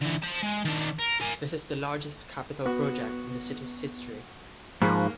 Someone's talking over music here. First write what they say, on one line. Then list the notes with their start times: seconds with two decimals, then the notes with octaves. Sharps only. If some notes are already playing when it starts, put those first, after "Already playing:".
This is the largest capital project in the city's history.
0.01 D3 E3
0.22 C5 A5
0.42 G#3
0.65 D#3 D4
0.99 A#4
1.21 A#4 G#5
2.66 B3 F#4
4.82 G#2 F3 A#3 B5 C#6 F#6